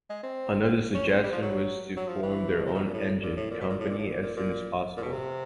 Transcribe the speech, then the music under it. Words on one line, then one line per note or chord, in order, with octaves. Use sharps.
Another suggestion was to form their own engine company as soon as possible.
G#3
C4
C#4
C4
G3
F3
F#3
F#3
F3
E3
B2
C3
B2
A#2
A2
A#2
A2
A#2
B2
A#2
A2
A#2
A2
A#2
A#2
A#2
A#2
B2
C3